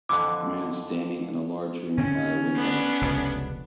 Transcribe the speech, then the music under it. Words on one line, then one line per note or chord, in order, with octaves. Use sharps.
A man standing in a large room by a window.
F2 D3 E3 D6
D3 C4 C#4
B3 D4
F1 C#2